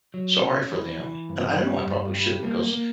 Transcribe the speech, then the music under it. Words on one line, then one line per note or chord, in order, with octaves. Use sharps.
sorry for them, and I don't know, I probably shouldn't 'cause,
F#3
C#4
E3
E3
G2
G3
G2
G3
A#3
A#3